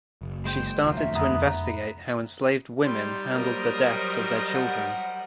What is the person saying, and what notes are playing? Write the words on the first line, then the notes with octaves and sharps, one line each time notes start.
She started to investigate how enslaved women handled the deaths of their children.
F#1
G#3 C5 G5
F1 D2 F3 F#3 F4
E5
F2 B3 A#5 D#6
G3 D#4 C6
F#3 A#3 A#4 C5 D#5
A#5
F#5